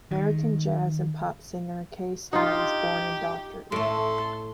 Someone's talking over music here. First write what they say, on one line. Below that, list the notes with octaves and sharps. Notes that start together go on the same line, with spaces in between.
American jazz and pop singer Kay Starr was born in Dougherty.
D#3
D#4 F4 G4
A2 A3 A4 C6